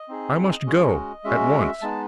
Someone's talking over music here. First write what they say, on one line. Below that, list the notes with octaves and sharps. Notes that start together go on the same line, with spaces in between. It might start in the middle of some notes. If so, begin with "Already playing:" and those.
I must go--at once.
Already playing: D#5
C4 D#4 G#4
G#3 C#4 F#4
G#3 C#4 F#4 E5
G#3 B3 D#4 A5